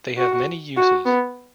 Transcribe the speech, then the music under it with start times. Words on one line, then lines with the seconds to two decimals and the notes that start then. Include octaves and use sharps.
They have many uses.
0.17 F#4
0.77 F#4
1.06 B3